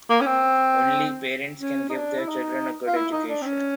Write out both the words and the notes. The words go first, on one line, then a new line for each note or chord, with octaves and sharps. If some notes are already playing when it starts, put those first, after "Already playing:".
Only parents can give their children a good education.
A#3
C#4
C4
C#4
D#4
D4
E4
D#4
F4
E4
D#4
D4
C4
C#4